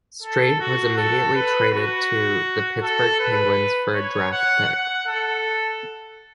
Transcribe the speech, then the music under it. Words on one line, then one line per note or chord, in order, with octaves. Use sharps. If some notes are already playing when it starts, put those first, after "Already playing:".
Streit was immediately traded to the Pittsburgh Penguins for a draft pick.
A4
F#4
A4
B4
F#4
A4
B4
C#5
F#5
F#5
A4